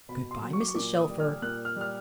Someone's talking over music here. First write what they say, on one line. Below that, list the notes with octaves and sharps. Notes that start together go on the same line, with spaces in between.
"Good bye, Mrs. Shelfer."
B2 B5
C6
F#3
C#6
D6
C#6
A#2 D6
D#6
G3
F6
A#2 F#6
F6
G3 F6